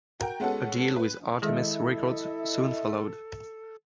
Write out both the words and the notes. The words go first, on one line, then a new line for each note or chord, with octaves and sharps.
A deal with Artemis Records soon followed.
F#4 A#4 G5
G#3 B3 C#4 F#4 A4
B4
D#3 G#3 E4 G#4 A4 D#5 E5